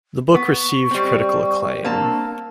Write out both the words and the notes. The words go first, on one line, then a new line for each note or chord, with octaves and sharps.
The book received critical acclaim.
B3 C#6
G3 C4
A#3 C4 D4 A5